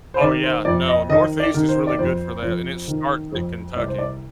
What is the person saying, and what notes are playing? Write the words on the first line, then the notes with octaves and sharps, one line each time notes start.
Oh, yeah. No, Northeast is really good for that, and it starts at Kentucky.
C5
D#3 D5
C5
F2 D5
D#5
D#3 D#5
D5
D#3
C5
D5
F2 C5
F2
D#3
F2
C2 D5
C5
D5